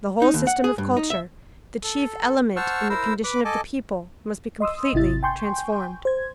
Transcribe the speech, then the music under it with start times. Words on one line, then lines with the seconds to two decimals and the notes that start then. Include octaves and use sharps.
The whole system of culture, the chief element in the condition of the people, must be completely transformed.
0.22 D#4
0.34 D#2
0.47 F#5
0.64 G#4
0.78 G2
0.97 D#4
1.10 E5
1.83 A4
2.56 C5 F#5 A5 C#6 E6 F6
2.90 E4 A#4 C5 E6
3.24 B4 B5 D6
3.45 A4 D#5 G#5 A5 D6
4.60 D#5 C6 D#6 E6
4.93 G#1 C3 E4 A6
5.23 G5 G#5 C6 C#6 G6
6.05 C5 G#6